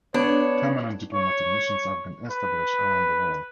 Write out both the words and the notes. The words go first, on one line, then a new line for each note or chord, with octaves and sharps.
Permanent diplomatic missions have been established around the world.
B3 D4 C#5
C#5
B4